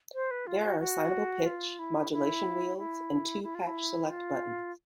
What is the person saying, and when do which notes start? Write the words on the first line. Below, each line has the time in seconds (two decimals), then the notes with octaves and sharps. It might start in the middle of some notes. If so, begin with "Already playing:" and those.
There are assignable pitch, modulation wheels, and two patch select buttons.
0.14 C5
0.31 B4
0.47 F4
0.64 F#4
0.80 F#4
1.46 F4
1.79 E4
2.12 E4
2.78 E4
3.44 E4
3.55 F4
3.65 E4
4.10 F4